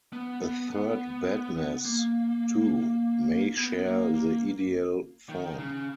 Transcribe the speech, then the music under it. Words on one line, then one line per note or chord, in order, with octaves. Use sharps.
A third bedness, too, may share the ideal form.
B3
B3
B3
A#3
B3
A#3
A#3
D#3
C#3